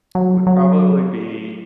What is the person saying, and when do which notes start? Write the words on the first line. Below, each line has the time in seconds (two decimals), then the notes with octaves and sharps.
It would probably be
0.15 F#3
0.47 F#3